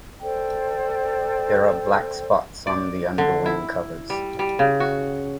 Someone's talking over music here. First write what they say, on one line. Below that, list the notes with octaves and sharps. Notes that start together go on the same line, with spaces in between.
There are black spots on the underwing covers.
A4 C5 D5 G5
D5
D3
E4
G3
G3
C#3
F#4